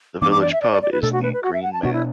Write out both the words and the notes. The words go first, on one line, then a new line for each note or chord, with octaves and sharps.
The village pub is the "Green Man".
F#2 E3 B3 D4 D6
D6
D5
E5
D5
D5
D5
B4
B2 A3 D4 A4
F#4
B4
B4
F#4
E5
F#5
A5
B2 B3 D4 F#4
E4